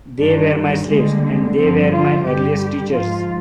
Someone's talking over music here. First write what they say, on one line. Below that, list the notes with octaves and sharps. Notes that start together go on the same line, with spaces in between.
They were my slaves; and they were my earliest teachers.
G2 D#3 G3 D4
D#2 D3 G3 G#3
G#3
G2 D3 F3 C4
F4
G2 D3 G3 G4
G4
G#2 F3 F4